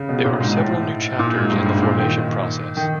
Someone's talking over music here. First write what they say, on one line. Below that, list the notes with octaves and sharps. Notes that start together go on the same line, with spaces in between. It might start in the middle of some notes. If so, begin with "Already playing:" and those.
There are several new chapters in the formation process.
Already playing: C#3
B2
A#2
G#2
A2
A#2
G#2
G2
G#2
A#2
D#3
D#3